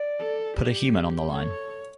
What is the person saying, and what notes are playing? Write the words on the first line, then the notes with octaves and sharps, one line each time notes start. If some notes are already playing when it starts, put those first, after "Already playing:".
Put a human on the line.
Already playing: D5
A4
G4
A4 C#5